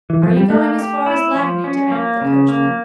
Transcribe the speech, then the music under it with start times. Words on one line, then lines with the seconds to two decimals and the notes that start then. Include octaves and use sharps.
"Are you going as far as Lagny?" demanded the coachman.
0.10 E3
0.23 F3
0.37 G3
0.50 A3 A#3
0.79 G4
1.06 E4
1.35 F3
1.64 C#4
1.92 A#3
2.21 C#3
2.48 A#3